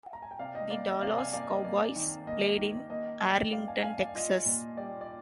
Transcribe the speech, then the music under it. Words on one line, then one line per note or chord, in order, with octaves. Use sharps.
The Dallas Cowboys play in Arlington, Texas.
A#5
G#5
G5
C3 D5 F5
D#5 G5
A#3 D5 F5
D#5
C3 D5 F5
F5 G#5
A#3 D5 F5
D#5
A#3 D5
D#3
A#3 D#5
D#3
A#3 D#5
G3
G3 D5 F5
F5 G#5
G3 F5 G#5
D5 F5
F4 D#5
A#2
G3 D5
D5